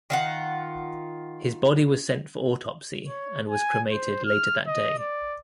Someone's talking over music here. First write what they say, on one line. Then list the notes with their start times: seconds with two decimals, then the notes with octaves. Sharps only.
His body was sent for autopsy and was cremated later that day.
0.10 D#3 F4 F#5
3.08 C#5
3.49 G#5
3.91 C5
4.25 F6
4.67 D#5
4.99 D5